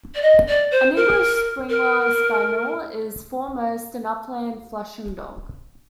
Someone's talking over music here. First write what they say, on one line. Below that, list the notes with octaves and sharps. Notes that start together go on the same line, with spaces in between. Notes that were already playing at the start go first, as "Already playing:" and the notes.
An English Springer Spaniel is foremost an upland flushing dog.
D5
D#5
D5
C5
A#4
A#4